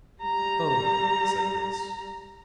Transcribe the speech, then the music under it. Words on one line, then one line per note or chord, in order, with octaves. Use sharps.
"No," said Grace.
G3 A#5